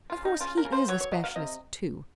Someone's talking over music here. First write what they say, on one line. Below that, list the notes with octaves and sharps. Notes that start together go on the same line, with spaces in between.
Of course he is a specialist too.
F4
C#3
D#4
C#3 F4
A#4
C#3
C5
F#3 C#5
C#5
F#3 D#5
F5
C3 D#5